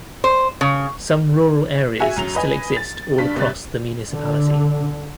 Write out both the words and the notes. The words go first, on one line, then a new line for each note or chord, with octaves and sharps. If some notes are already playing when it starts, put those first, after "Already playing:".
Some rural areas still exist all across the municipality.
C5
C#3
F#4 G#4 E5 G#5
F#2 F#3 F7
B4 D#5 G#5
A6
G2 D4 B6
C3 G3 F#6 A6
D3